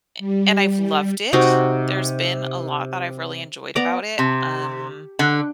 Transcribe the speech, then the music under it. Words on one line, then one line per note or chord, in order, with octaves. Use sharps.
a and I've loved it. There's been a lot that I've really enjoyed about it, um,
G3
C3 D#4 F#4
B3 D5 A#5 D6
C3
D3